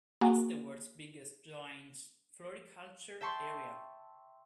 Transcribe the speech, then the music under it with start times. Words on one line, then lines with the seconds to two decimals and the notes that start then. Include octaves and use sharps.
It's the world's biggest joined floriculture area.
0.21 A#3 F#4 G#4
3.21 E5 G5 A5 C6 C#6